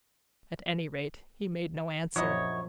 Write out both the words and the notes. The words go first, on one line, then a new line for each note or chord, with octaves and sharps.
At any rate, he made no answer.
A#1 F#2 F3 F#3 E4 C#5 D#5